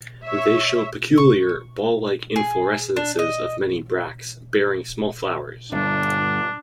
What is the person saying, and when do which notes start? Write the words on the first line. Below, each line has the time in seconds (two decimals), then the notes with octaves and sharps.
They show peculiar, ball-like inflorescences of many bracts, bearing small flowers.
0.24 C#5 E5
1.18 C#6
2.36 G#4
2.96 D4
3.19 D#5
5.72 G1 G2 D4